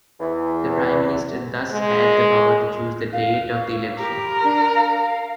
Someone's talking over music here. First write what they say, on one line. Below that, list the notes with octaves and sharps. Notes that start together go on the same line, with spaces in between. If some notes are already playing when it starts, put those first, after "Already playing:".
The Prime Minister thus had the power to choose the date of the election.
E2 E3
G#3
F5
G4 A#4
D4
F5